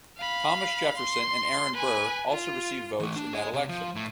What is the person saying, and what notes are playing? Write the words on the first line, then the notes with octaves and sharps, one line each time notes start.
Thomas Jefferson and Aaron Burr also received votes in that election.
F5 B5
C6
B4 G#5
F4
E3 A3
D4
G#4 D#5
C3
F3
A2